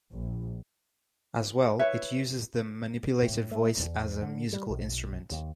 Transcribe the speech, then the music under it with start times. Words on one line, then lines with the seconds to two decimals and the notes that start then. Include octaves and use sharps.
As well, it uses the manipulated voice as a musical instrument.
0.11 A#1
1.79 E4 B4 C#5 E5
3.22 A2
3.51 A3
3.80 E2
4.22 D3
4.53 G3
4.70 B1
5.31 D#2